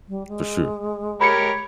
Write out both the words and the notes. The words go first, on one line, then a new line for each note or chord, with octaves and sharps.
For sure.
G3
G#3
G4 A#4 C#5 B5 G#6 C#7